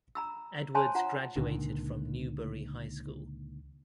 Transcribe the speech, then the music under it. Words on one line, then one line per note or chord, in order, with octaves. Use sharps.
Edwards graduated from Newberry High School.
A#5 B5 E6
C5 C#5 G#5 A5 B5 C6
F4 F#5 A#5
C#2 A#2 D3 D#3